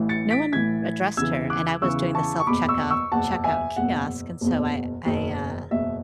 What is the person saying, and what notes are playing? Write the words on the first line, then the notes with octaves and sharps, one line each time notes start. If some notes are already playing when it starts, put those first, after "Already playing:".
no one addressed her, and I was doing the self-checkoff checkout kiosk, and so I I, uh
Already playing: A1 A2 E3
A6 C#7
B6 D7
A1 A2 E3 G#6 B6
E2 C#3 E3 E6 G#6
D6 F#6
E2 C#3 E3 C#6 E6
A5 C#6
C#6
F#1 E2 B2 B5 D6
C#6 E6
C#6 E6
F#1 E2 B2 F#5 A5
E5 G#5
F#1 E2 B2 F#5
F#1 E2 B2
F#1 E2 B2
F#1 E2 B2 E5